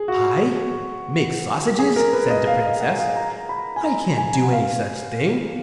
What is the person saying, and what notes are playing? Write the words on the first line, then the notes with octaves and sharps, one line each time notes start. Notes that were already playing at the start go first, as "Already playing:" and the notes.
'I make sausages!' said the Princess; 'I can't do any such thing.
Already playing: G#4
F#4
G#4
A#4
B4
D#5
F5
D#5
F#5
F5
A#5
B5
G#5
A#5
G#5
G#5
F#5
F5